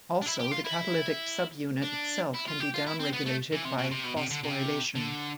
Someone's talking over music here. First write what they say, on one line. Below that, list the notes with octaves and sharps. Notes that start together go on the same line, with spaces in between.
Also, the catalytic subunit itself can be down-regulated by phosphorylation.
D4
E4
G4
F4
E4
D4
E4
F4
G4
F4
E4
C4
B3
A3
E3
C3
B2
C3
B2
C3
D3
C3
D3